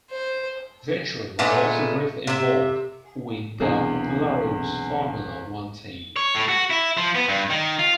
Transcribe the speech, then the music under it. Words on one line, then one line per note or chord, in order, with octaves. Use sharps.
Venturi was also briefly involved with the Larrousse Formula One team.
C5
A#2 G#3 A3 B3
C3 E5
B1 E2 C3 A#3 D4 G#4
C#5
A2
F#4
E4
F3
B3
G2
D#3
F4